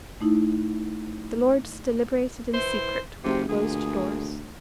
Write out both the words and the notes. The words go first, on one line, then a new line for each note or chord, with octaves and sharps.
The Lords deliberated in secret, with closed doors.
A3 D#4 E4
E3 E4 C5
F#1 C3
D2 A#2 G#4